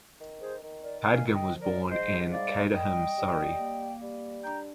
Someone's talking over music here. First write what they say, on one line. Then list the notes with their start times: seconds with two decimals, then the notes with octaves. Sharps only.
Padgham was born in Caterham, Surrey.
0.21 D#3
0.41 G#4 C5
0.62 D#3
0.83 A#4 D5
1.05 D3 F5 G#5
1.33 D#5 G5
1.48 F3
1.61 A#4 D5
1.89 G#2 C5 D#5
2.32 G3 D5 F5
2.74 G3 D#5 G5
3.16 G3
3.59 A#3
4.02 G3
4.43 D4 G5 A#5